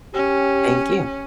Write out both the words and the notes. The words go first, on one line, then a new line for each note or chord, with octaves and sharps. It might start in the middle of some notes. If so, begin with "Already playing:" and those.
Thank you.
C#4 G4